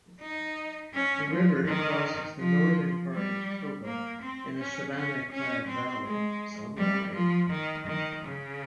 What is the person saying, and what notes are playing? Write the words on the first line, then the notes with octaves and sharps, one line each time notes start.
The river crosses the northern part of Togo in a savannah-clad valley some wide.
D#4
C#4
F3
D#3
F3
G3
A#3
C4
C#4
C#4
C#4
C4
G#3
G3
F3
D#3
D#3
C#3